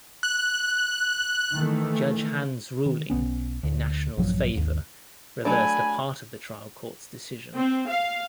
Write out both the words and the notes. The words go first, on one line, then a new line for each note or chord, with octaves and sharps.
Judge Hand's ruling in National's favor reversed a part of the trial court's decision.
F#6
D#3 E3 A3
D#3
B1 B3 C#4
D2
A#1 G2 F3 F#3
G#1 D#2
F#3 A3 D4 G#5 B5
C4
F5